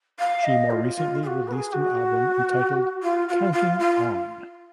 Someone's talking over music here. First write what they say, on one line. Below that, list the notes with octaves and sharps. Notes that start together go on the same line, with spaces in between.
She more recently released an album entitled "Counting On".
F5
D#5
F4
F4
G#4
F#4
B4
G#4
F#4
F4
F#4
F4
F4
F4